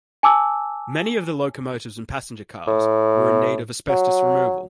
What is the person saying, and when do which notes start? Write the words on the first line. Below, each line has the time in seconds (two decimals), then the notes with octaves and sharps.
Many of the locomotives and passenger cars were in need of asbestos removal.
0.23 G#5 A5 D6 E6
2.67 A2
3.89 F#3